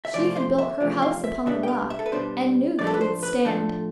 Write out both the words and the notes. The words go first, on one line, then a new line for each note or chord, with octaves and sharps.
She had built her house upon the rock, and knew that it would stand.
E5
E2 C3 F3 A3 C4 D5
C5
E5
E2 C3 F3 A3 C4
F5
E5
B2 G3 B3 D4 E5
G5
F5
E5
A4
B4
B2 G3 B3 D4 C5
A2 F3 A3 D4 D5
A4
B4
C5
B4
A2 F3 A3 D4 A4